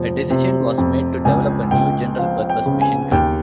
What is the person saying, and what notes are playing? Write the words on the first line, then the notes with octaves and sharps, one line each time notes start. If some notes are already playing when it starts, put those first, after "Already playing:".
A decision was made to develop a new general-purpose machine gun.
Already playing: F1 F3
C3
F2
C#2 G#5
C#2 G5
F3 F5
G5
C#3
G#5
D#2 G5